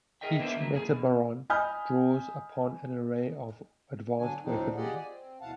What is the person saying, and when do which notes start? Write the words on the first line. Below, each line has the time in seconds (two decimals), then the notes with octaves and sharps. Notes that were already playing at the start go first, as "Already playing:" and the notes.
Each Metabaron draws upon an array of advanced weaponry.
0.21 G#4 A#4 D#5 E5 G5
0.39 A#3 B3 D4 B4 C5 E5
0.56 D#3 F#3 A3 A#3
0.74 F2 A3 G#4 G#5
0.88 B2
1.50 D#5 G#5 B5 D#6 F6 G6
4.18 D3 F#3 D4 G#5
4.42 D2 A2 F3 C4 D4 D#4
4.75 F4 G4 G#4 D5 D#5 F#5
4.95 D5 G#5
5.07 C4
5.41 D2 B2 E3 F5 F#5 A5